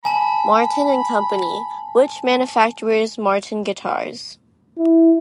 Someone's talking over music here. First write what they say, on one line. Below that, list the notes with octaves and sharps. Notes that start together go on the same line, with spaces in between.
Martin and Company, which manufactures Martin guitars.
G#5 A5 B5
E4